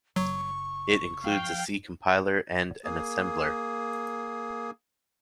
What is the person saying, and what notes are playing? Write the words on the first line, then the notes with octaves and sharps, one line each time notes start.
It includes a C compiler and an assembler.
F#1 F#3 C#6
F3 F5 G5
A#3 G#4